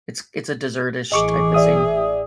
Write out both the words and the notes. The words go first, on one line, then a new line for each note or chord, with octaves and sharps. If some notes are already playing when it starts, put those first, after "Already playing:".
It's it's a dessert-ish type of thing.
A1 E3 G#4 D#5 C#6 D6
D5 E5 D#6